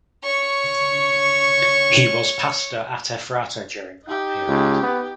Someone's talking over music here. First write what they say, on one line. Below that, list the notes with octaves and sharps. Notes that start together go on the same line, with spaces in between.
He was pastor at Ephrata during that period.
C#5 C#6
D#4 G4
C#2
B3